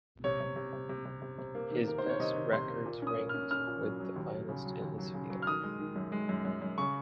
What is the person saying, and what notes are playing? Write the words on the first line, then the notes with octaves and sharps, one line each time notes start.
His best records ranked with the finest in his field.
C3 C#5
C3
C3
C3
C3
C3
C3
C3
A#3
D#3
A#3 A#4
C5
D#3
C#5
C3 D#5
D#3
C3 C6
A#3
A#2
C#4 D#6
A#3
F6
C#4
C#4 F6
A#2
F#3
F#3
D#2
F#3
C#3
F#3
D#2
F#3
C#3
F#3
F6
D#3 D#6
G#3
D#3
F#2
G#3
F#2
F#2
F#2
C#3 C#6